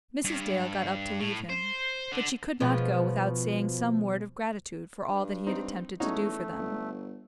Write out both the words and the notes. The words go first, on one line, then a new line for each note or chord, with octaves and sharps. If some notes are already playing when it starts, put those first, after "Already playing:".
Mrs. Dale got up to leave him, but she could not go without saying some word of gratitude for all that he had attempted to do for them.
G2
A2
C5
D3
B2 F3 G#3
G2
C4 D#4
E2 A3 C#4 D#4 F#4
G1